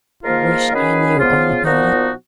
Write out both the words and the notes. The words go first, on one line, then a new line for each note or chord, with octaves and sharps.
I wish I knew all about it.
G#2 F3 A#3 F4 A#4
D#3 F#3 C#4 G#4 B4
C#3 F3 B3 F4
A#2 F3 B3 D#4 F#4